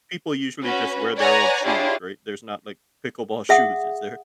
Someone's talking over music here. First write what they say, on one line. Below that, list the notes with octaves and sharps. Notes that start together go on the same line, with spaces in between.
people usually just wear their own shoes, right? There's not, like, pickleball shoes, is there?
C#4 F#4 B4
B4 C#5 D5 F#5 G#5 A#5
D4 E4 F4 G4 G#4 C#5
G#4 E5 F#5 D#6